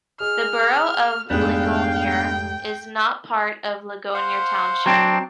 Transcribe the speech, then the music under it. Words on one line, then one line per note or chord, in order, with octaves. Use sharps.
The Borough of Ligonier is not part of Ligonier Township.
G#4 D#5 F6
F1 G#2 B3 D4 G#4 F5 G5
C5 F5 F#5
F#3 C4 D4